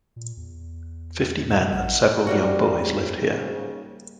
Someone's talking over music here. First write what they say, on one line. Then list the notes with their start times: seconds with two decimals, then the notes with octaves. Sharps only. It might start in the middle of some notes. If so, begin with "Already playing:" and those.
Fifty men and several young boys lived here.
0.16 A#2
0.37 E2
1.50 C3 D#5
1.72 A1 F#5
2.27 G#2 C#3 G3 A#3 F#4